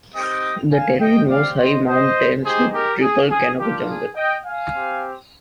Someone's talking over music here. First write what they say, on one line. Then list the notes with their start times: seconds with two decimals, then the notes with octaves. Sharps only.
The terrain was high mountains with triple canopy jungle.
0.15 C4 D#4 G4 D#5 G5
0.73 F5 G#5
1.01 D#5 G5
1.29 C4 G4 D5 F5
1.58 C5 D#5
1.87 C5 D#5
2.44 G#3 D#4 G4 G#4 C5
2.73 G4 A#4
3.02 G#4
3.30 G#4
3.59 A#3 D4 F4 G4
3.88 G#4
4.16 D#5 G5
4.45 F5 G#5
4.74 C4 G4